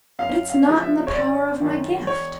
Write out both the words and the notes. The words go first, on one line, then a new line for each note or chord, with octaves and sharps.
But it's not in the power of my gift.
F#2 F5
F5
C#3 F3 G#3
E5
C#5
G#1 D5
F#2 D#3
E1 C#5